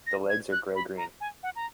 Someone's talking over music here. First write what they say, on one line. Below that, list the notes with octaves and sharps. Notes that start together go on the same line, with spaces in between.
The legs are grey-green.
A#6
G#6
F#6
B5
A#5
G#5
F#5
A#5